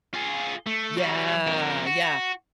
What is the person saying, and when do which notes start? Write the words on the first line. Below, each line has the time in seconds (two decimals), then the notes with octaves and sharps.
Yeah, yeah.
0.14 F4 G#4
0.67 A3
0.97 F#3 G3
1.47 F2 A#4
1.86 F#4